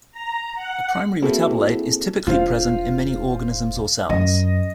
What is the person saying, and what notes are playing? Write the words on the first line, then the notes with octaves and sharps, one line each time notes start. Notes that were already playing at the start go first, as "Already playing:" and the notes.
A primary metabolite is typically present in many organisms or cells.
A#5
F#5
A#3 C4 E4 F#4 G#4 A4
E1 F4 C5 F5
F#2 D#5